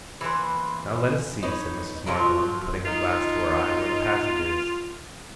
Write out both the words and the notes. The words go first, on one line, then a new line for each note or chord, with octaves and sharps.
'Now let us see,' said Mrs. Markleham, putting her glass to her eye, 'where the passage is.
E3 A#3 B4 C5
D#4 B4 C#5
F3 F#3 F4 A#4
D#4 F4